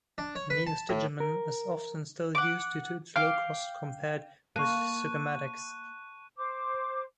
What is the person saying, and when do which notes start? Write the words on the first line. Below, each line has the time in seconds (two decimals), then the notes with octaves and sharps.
Neostigmine is often still used due to its low cost compared with sugammadex.
0.18 D4
0.35 C#5
0.50 B4
0.67 A5
0.89 A2
1.20 A#4
2.35 F#5 D6
3.16 F5 G5 D6 F6
4.56 A#3 A5 C#6 F#6 D#7
6.36 C5 D6